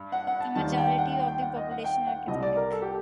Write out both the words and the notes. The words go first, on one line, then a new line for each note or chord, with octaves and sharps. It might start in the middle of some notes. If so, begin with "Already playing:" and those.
The majority of the population are Catholic.
Already playing: G2
F#5
F#5
A5
D#2 D#3 G3 A5
G5
F#5
G5
G5
F#5
D#5
F#5
G5
F#5
C2 C3 G3 D#5
D5
A#4
A4
G4